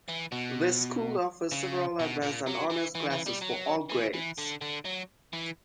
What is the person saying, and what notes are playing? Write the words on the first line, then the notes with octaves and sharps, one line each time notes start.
The school offers several advanced and honors classes for all grades.
E3
B2
C#3
B2
A#2
F#3
E3
E3
E3
G3
F#3
E3
E3
D3
D3
F#3
E3